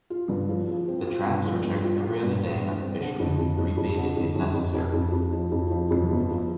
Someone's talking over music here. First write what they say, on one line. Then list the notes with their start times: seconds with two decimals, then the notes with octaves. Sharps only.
The traps are checked every other day by the fisherman and rebaited if necessary.
0.10 F4
0.29 G2
0.49 F3
0.68 F3
0.88 C4
1.07 F4
1.26 G2
1.46 F3
1.65 G2
1.84 F4
2.04 F4
2.23 G2
2.42 G2
2.61 G2
2.81 C4
3.00 D3
3.20 F2
3.39 F2
3.58 F2
3.77 F2
3.97 D3
4.17 F2
4.36 F2
4.54 F2
4.74 F2
4.94 F2
5.13 F2
5.32 F3
5.52 F2
5.71 F3
5.91 F2
6.10 G1
6.29 F3